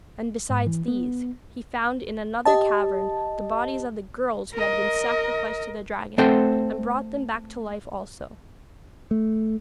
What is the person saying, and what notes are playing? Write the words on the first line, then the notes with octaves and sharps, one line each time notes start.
And, besides these, he found in another cavern the bodies of the girls who had been sacrificed to the dragon, and brought them back to life also.
G#2
E3
B3
G4 D#5 A5
A#4 D#5
A3 C4 A4 C5 F#5 G5
A3